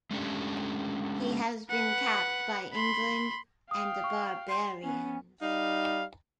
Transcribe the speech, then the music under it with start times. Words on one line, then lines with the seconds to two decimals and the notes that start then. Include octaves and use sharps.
He has been capped by England and the Barbarians.
0.11 G#3 A3 C#4 D4 G4
1.70 B4 F#5
2.73 B5 C6
3.71 F5 G5 D#6
4.04 C#6
4.49 C6 C7
4.83 B3 C#4 G#5
5.42 G3 D#4 F5